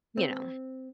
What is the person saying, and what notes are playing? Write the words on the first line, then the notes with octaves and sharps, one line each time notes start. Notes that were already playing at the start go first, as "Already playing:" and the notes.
you know
C4